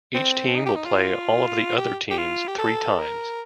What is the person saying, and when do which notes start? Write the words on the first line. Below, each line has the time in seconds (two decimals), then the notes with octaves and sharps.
Each team will play all of the other teams three times.
0.15 C4
0.55 D#4
0.66 G4
0.76 D#4
0.86 F4
1.77 G4
2.10 G4
2.18 F4
2.48 G4
2.58 A4
2.99 A#4